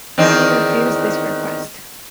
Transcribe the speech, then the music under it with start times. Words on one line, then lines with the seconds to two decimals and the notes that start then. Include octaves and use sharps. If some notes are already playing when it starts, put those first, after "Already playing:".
He refused this request.
0.18 E2 D#3 C4